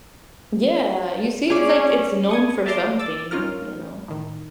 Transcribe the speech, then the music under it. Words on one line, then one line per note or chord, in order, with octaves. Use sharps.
Yeah, you see, it's like it's known for something, you know, s
C#4 G#4 D5
C#6 D#6 G#6
D5 E5 A5 A#5 C6 D6
D6 E6 A6
G2 C#4 D#4 F4 A#4 F6
A2 D#3